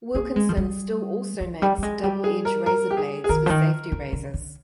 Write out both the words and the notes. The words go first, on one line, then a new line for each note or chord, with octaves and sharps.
Wilkinson still also makes double edge razor blades for safety razors.
A#3 G#4
G#3
F3
G3
F3
G3
G3
G#3
G3 G4
G#4
A#4
A#4
G4
G#4
G#4
D#3 A#4
F3
D#3
D3
D3
D3